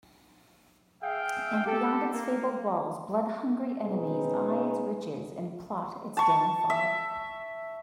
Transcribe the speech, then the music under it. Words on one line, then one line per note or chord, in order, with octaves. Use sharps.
And beyond its fabled walls blood-hungry enemies eye its riches and plot its downfall.
G#4 E5 F5 G5
G4 A4
A#3
B2 C4 C#4 D#4 G#4 B4
A5 C#6
E5